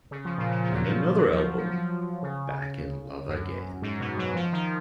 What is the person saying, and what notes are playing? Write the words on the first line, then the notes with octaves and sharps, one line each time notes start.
And another album, "Back in Love Again".
C#3
F3
A#2
F3
F3
F#3
F3
F#3
F3
F3
F3
C#3
F#2
G#2
B2
F#3
F3
D#3